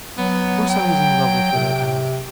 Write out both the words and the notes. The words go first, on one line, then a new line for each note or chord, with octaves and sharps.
Of course I was in love with little Em'ly.
F#3 B3
G5
C3